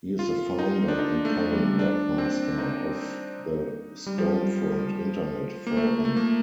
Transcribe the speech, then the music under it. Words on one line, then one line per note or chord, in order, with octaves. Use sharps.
He is the founder, and current webmaster, of the Stormfront internet forum.
F4
D#4
D4
D#4
A3
G3
D4
C4
D#4
G3
F3
A#3
A3
A3
A#3